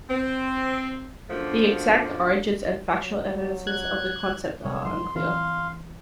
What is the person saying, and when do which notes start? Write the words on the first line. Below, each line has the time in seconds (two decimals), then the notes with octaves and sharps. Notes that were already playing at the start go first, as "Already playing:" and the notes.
The exact origins and factual evidences of the concept are unclear.
0.09 C4
1.30 F#2 B2 F3 A3 A#3 D4
2.96 F#3
3.67 F#6 G#6
4.65 C3 G3 C#5
4.85 G#1 F3 G3 C6
5.16 E3 C4 F5 C6